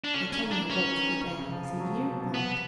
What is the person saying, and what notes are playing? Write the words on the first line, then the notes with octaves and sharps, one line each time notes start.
They tell me I walked the day I was a year old.
D4
D3 C#4
C#4
D#3
D4
E3 C#4
D#3
C#3
C3
F3
F3
F#3
C3
B2
B2
C3 B3